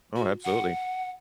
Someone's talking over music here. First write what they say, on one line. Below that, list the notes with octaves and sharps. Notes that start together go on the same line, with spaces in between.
Oh, absolutely.
F#4
F#5